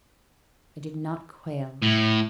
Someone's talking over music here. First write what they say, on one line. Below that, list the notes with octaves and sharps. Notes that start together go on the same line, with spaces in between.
I did not quail.
A2